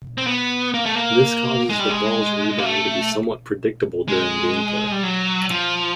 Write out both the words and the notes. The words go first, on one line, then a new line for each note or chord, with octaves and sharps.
This causes the balls' rebound to be somewhat predictable during game play.
C4
B3
A#3
A3
A#3
G#3
G3
G#3
A#3
A3
G#3
G3
F#3
F3